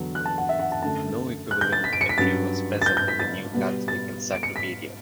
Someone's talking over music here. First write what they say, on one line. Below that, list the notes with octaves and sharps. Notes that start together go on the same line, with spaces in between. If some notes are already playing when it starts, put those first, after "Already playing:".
No equivalent entry was present in the "New Catholic Encyclopedia".
Already playing: E2 D3 F#3 B3
F#6
A5
F#5
E5
F#5
A5
F#2 D3 A3 A5
F#6
G6
A6
B6
D7
C#7
B6
G2 F#3 C#4 A6
A6
G6
G6
B6
A6
B2 G3 B3
A6
D7
C#7
B6